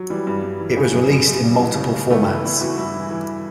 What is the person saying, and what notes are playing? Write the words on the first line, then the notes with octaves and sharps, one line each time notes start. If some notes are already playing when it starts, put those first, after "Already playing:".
It was released in multiple formats.
Already playing: F#3
E3 G3
G2
G2
E3
C#3
F#2
F#2
F#2
C#3 G3
E3
C#3
C#3
E2 A3
E2 E4
E3 E4
E2 F#4
G2 E4
E3
E3